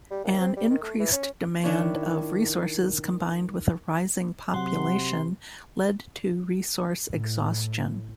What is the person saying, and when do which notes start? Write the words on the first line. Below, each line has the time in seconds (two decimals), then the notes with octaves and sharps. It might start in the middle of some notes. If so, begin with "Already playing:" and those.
An increased demand of resources combined with a rising population led to resource exhaustion.
0.11 G3
0.24 D#2
0.40 C4
0.57 G3
0.70 D#3
0.82 A3
1.00 E3
1.12 C#4
1.64 D#3 D4 E4 C#5
4.54 C3 F#3 F#5 C6
7.09 A2